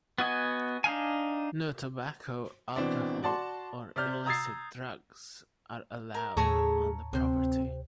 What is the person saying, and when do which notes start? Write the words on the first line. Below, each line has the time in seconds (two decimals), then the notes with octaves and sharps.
No tobacco, alcohol, or illicit drugs are allowed on the property.
0.18 B3 F#4 D#5 G#5
0.84 D4 D#4 F5 G#5
2.76 B2 E3 C4 D4
3.22 F#4 D5 A5 C6
3.96 C3 D5 F6 G6
4.26 A#5 D#6 E6 G#6 A6 C7
6.14 A#4
6.37 D#2 A2 C#3 A3 G#4 C#5 A5 A#5
7.13 D2 C3 C4 C5